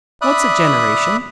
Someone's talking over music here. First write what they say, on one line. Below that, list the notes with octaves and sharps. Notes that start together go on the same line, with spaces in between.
"What's a generation?"
D5 E5 B5 D#6 F#6